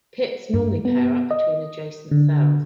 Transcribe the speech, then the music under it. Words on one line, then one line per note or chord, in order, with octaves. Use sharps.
Pits normally pair up between adjacent cells.
G2
B3
D#5
D3